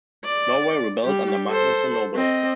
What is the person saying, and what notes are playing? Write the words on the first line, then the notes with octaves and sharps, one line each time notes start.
Norway rebelled under Magnus the Noble.
D5
G3 G4
A4 C5
C4 D#5